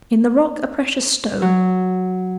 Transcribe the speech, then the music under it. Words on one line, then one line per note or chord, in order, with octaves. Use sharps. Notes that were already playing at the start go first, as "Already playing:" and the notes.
In the rock, a precious stone.
F#3